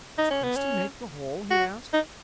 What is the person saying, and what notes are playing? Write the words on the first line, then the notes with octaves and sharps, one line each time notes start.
"Does Cresty make the hole?" he asked.
D#4
C#4
B3
C#4
F#4
D#4